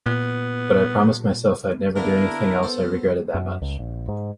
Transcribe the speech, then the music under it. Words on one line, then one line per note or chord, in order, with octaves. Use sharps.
But I promised myself I'd never do anything else I regretted that much.
A#2 B3
D3 A#3 B3 D4 E4 A#4
B3 A4 C5
F#2
C#2
A#1
G#2